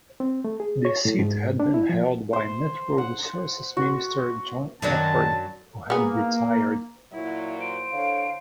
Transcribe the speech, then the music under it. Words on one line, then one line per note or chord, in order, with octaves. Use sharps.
The seat had been held by Natural Resources Minister John Efford, who had retired.
C4
A3
G#4
C#5
A2
G#2
D4
E4
F3
C5
F#5
F#4
F#2 D#3 F#3 D4 A5
A#3 B3 G#4
A#2 F#3 E4
C5 D7
D3 C#5 F5